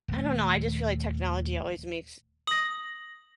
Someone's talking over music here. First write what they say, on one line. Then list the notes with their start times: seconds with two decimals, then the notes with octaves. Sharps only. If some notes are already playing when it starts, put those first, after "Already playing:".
I don't know, I just feel like technology always makes
0.08 D#1 A3
2.47 D#6 A#6 F#7